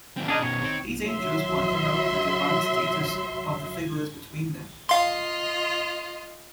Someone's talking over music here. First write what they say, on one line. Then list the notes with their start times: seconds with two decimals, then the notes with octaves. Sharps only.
These angels pointed out the divine status of the figures between them.
0.17 D#2 C4
0.28 C#4 D4 G#4 A#4 D#5
0.40 B2 D#3 C#4 C#5
0.62 C4
1.05 F#3 E5 C6
4.89 F4 D#5 F5 C6